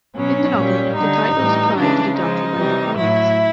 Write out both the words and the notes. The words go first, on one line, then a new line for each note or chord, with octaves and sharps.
In the novel, the title was applied to the Doctor by the Draconians.
B2 F#3 C#4
A#2 G3
D3 G3 D#4
A2 E3 G3
C#3 E3 G#3 D4
C#3 F3 G#3 D#4
C3 E3 G3
A2 F#3 E4